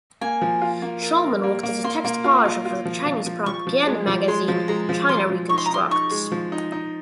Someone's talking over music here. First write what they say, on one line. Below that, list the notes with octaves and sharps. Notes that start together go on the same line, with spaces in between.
Shulman worked as a text-polisher for Chinese propaganda magazine "China Reconstructs".
A#3 G#5
F3
F4
A#3
A#4
A#4
A#3
A#3
A#3 C6
A#3
F4
F4
F4
F3
F3
F3
F3 C#6
F3
G#3
F3
G#3 C6
F3
G#3 A#5
F3
F3 C6
F3
D#4 C#6
C6
A#5
D#4 C6
D#4 C#6
G#3
F3
D#4
D#4